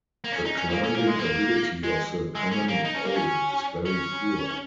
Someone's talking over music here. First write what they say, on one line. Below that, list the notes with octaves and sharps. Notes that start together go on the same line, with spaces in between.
The climbing ability of the common vole is very poor.
A#3
C#4
D#4
C#4
A#3
C#4
A#3
G#3
A#3
G#3
G#3
C#4
A#3
D#4
C#4
A#3
C#4
C#4